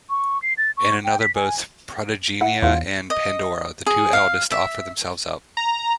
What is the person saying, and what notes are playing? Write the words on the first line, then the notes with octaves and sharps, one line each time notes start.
In another both Protogeneia and Pandora, the two eldest, offer themselves up.
C#6
C7
A6
C#6
G5
B6
G#5
E4 F#5
E2 F4 F5 F#5
D#5
G#4
F5
E5
A#5